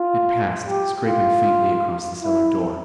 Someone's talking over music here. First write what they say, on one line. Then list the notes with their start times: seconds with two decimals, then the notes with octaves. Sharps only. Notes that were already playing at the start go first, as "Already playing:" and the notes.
It passed, scraping faintly across the cellar door.
Already playing: F4
0.67 G4
1.06 F4
2.22 E4